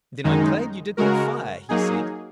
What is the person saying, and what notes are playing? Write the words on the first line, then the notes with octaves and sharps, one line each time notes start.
"Then I'm glad you did not fire!" he said.
F#2 D#3 G#3 D#4
C#3 G#3 F#4 A#4
F#3 A#3 D#4 G#4